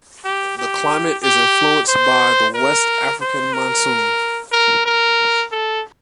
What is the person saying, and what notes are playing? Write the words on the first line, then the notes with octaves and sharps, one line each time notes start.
The climate is influenced by the West African Monsoon.
G4
G4
G4
C5
A#4
C5
A#4
A#4
A#4
A4